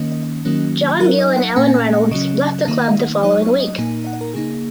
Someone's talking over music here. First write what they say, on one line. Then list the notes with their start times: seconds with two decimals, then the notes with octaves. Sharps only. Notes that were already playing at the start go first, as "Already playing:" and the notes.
John Gill and Alan Reynolds left the club the following week.
Already playing: D#3 A#3 C#4 D#5
0.45 D#3 F#3 A#3 C#4
1.00 F#3 D#4 A#4
1.19 D#5
1.37 F#5
1.56 A#2 A#3 C#4 G#5
1.74 G#5
1.94 F#5
2.11 C#3 F#3 C#4 D#5
2.68 D#3 A#3 D#4
3.23 F#3 D#4 C#5
3.42 C#5
3.60 D#5
3.78 A#2 A#3 D#4 G#5
4.07 F#5
4.21 A#4
4.34 C#3 A#3 D#4 G#4